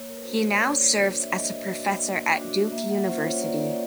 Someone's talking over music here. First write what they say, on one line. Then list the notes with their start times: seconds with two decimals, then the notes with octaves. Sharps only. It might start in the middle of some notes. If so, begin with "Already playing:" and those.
He now serves as a professor at Duke University.
Already playing: A#3 C#5
0.08 A#4
0.16 B4
0.23 D4 F#4 C5
0.48 D5
0.59 A#3 C#5
0.94 D4 F#4
1.21 E5
1.30 A#3 D#5
1.65 D4 F#4
2.01 A#3
2.36 D4 F#4
2.72 A#3 E5
2.90 F#5
3.08 C#4 F4 C5
3.25 C#5
3.43 A#3 D5
3.60 D5